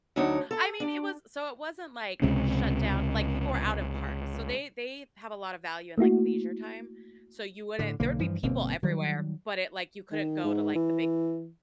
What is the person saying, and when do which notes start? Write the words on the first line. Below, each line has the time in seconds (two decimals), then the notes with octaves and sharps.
I mean, it was so it wasn't like shut down, like people were out in parks, so they they have a lot of value in like leisure time, so you wouldn't there would be people everywhere, but it like, you couldn't go to like the big
0.16 D2 F#3 D4 D#4 C#5
0.51 A4
0.80 D4
2.22 C#2 C3 G#3 C#4
5.98 A3 A#3 E4 F#4
7.79 A2 D3
8.00 B1 D3 A#3
8.19 G2 E3 F3
8.43 G1 B2 A#3 C4
8.83 D#3 F#3 G3
10.12 D#3
10.44 G#2
10.75 E3